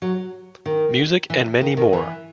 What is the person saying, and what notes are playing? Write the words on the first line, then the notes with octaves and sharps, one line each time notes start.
Music and many more.
F#3
D#3
E3
D#3
D#3
E3